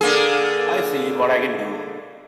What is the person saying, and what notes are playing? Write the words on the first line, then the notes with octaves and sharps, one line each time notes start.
I'll see what I can do.
D3 A#3 G#4